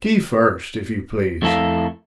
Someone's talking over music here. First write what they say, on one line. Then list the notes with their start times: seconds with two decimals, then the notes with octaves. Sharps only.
Tea first, if you please!
1.42 F2 A3 E4 A4 A#4 F5